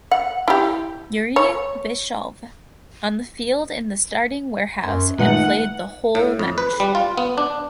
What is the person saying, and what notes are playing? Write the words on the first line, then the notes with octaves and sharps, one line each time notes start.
Yuriy viyshov on the field in the starting warehouse and played the whole match.
F#5
E4 G4
C#5
F#2 C6
A#2 D#3 G#3 A3 D#4 B4 F#5 C#7
A2
F2
B4
G3
F4
B3
D4